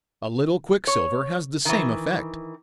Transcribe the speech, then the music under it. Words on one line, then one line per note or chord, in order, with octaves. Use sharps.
A little quicksilver has the same effect.
C#5
D#3 E3